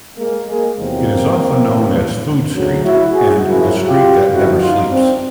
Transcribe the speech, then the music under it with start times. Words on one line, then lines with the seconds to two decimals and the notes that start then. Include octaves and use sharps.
It is often known as "Food Street" and "The Street that Never Sleeps".
0.18 G#3 A#3
0.48 G#3 A#3
0.77 E2 C3 D#3 F#3 A#3 C4
1.66 G2 E3
2.54 D2 C#3 F#3
2.84 E4 F#4
3.14 F#4 G#4
3.44 F#2 C#3 F3 E4 F#4
3.87 F4 G4
4.32 F#2 D3 F3 E4 F#4
4.61 D#4 F4
4.91 C4 D4